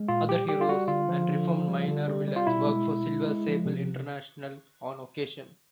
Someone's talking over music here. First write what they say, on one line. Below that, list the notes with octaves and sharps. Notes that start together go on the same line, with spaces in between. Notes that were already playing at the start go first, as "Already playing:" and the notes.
Other heroes and reformed minor villains work for Silver Sable International on occasion.
Already playing: G#3
A#2 F4
G3 G4
G3 G4
F4
G3 F#4
D3 F4
F3
D3
F3
G3
D3
G3
G3
F4
B2 E4
G#3
B2
G#3
G#3
F3
C3